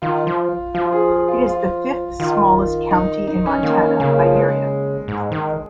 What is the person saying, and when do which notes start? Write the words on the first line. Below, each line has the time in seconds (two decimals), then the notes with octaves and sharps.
It is the fifth-smallest county in Montana by area.
0.02 D#3 F4
0.27 F3
0.74 F3 F4
0.86 F4
0.92 G#4
1.11 G#4
1.28 F4
1.46 F4
2.20 D#3 F4
2.91 D#4
3.27 D#4
3.46 C#4
3.63 D#3 A#3
3.82 C#4
4.00 C#3 A#3
4.18 F3
4.35 G#3
5.08 G#2
5.32 D#3